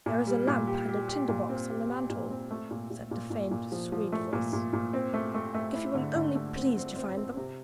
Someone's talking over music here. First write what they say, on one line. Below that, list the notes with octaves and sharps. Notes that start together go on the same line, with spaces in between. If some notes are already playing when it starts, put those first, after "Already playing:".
"There is a lamp and a tinder-box on the mantel," said the faint, sweet voice, "if you will only please to find them."
A#2
G3
A#2
G4
G4
G4
A#2
C4
G4
G4
A#2
C4
A3
A#2
A#2
A#2
A#2
A#2
F3
F3
A3
A#2
A#2
A#2
C4
A3
A3
A3
E4
D3
D3
A3
C4
C4
C4
C4
C3